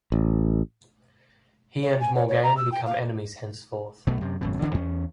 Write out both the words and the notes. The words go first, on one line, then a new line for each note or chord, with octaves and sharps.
He and Morgaine become enemies henceforth.
A1
C#5
G#5
C#5
C#5
A#5
E6
G5
F5
B1 B2 A3
F#2 C3
G#1 F#2 B2
D1 D3 E3 D4
E2 C#4